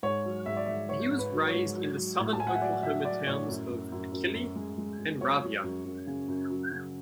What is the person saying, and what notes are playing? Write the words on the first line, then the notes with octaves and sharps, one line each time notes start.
He was raised in the southern Oklahoma towns of Achille and Ravia.
G#2 C#5
F#3
G#2 E5
D5
G#2 E5
G#2 C#5
G#2
B4
F#3
C#5
G#2
F#3
F#3
A2
A5
A2 G#5
F#5
E5
F#3 D5
F#3 E5
F#3 D5
A2 C#5
F#2
F#2
F#2
F#2
F#2
G#3
G#3
F#2
F#3 C#5
F#3
F#2
F#2
C#3
F#2
F#3
C#3